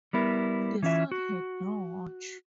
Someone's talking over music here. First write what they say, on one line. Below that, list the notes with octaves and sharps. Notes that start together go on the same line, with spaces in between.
The son had no watch.
G3 B3 E4 A#4
E3 C#4 F4 E5
F#4